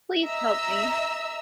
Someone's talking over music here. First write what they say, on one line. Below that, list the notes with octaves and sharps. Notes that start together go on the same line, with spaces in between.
Please help me.
D#5 E5 A#5 E6